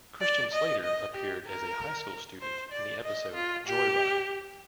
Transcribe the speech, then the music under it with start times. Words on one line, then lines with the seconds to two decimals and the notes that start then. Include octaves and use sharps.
Christian Slater appeared as a high-school student in the episode "Joyride".
0.21 D5
0.53 D#5
0.84 D#5
1.15 G4
1.47 A#4
2.41 C5
2.72 D5
3.04 D#5
3.34 F4
3.66 G4